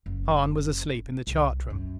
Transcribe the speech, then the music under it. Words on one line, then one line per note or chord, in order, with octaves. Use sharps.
Hahn was asleep in the chart room.
F#1
C2
F#2